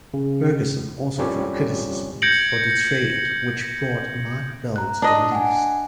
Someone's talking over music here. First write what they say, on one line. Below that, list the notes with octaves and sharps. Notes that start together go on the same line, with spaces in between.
Ferguson also drew criticism for a trade which brought Mark Bell to the Leafs.
C#3
F2 F3 G3 C#4 G4 C#5
G6 G#6 A#6 C#7 D7 F#7
A#5 F#6
D4 D#5
F#5 G#5